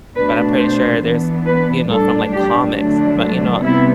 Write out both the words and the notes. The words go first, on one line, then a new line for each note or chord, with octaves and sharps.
but I'm pretty sure there's you know, from like comics, but you know,
B2 A3 D4 B4
C5
E3 B3 D4
B4
A2 G3 D4 A4
G4
D3 F#3 A3 D4
C3 G3 B3 E4